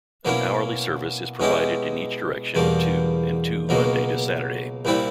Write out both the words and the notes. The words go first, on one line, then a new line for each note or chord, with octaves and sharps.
An hourly service is provided in each direction to and to Monday to Saturday.
B2 F#3 A#3 C#4 E4
B2 G#3 C#4 E4 G4
E2 B2 G3 A#3
C#2 B2 F#3 A#3
C2 A#2 G3 C4 E4